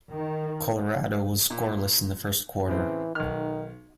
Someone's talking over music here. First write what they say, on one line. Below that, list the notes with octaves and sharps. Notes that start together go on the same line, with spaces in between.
Colorado was scoreless in the first quarter.
D#3
A#2
A2 C#3 E3 C4
B1 D#3 F6